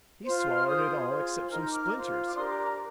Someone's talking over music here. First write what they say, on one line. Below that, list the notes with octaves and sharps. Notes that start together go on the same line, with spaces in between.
He's swallered it all except some splinters.
F4 C5
F6
F4 G#4 C5 D#6 G6
F4 G#4 C5
D#4 A#4 F6
G6
D6 F6
F4 C5
D6
D4 G4 A#4 C6 D#6
A#5 D6
A#5 D6